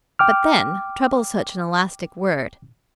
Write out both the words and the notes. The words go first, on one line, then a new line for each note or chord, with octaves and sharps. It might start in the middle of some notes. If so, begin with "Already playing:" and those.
But, then, trouble is such an elastic word.
G5 D6 F6